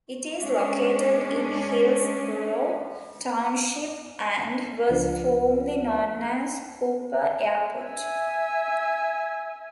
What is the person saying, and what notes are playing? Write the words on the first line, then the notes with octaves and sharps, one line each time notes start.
It is located in Hillsborough Township and was formerly known as Kupper Airport.
G#3 C#4 D4
C#2 F3 D4
E5 G#5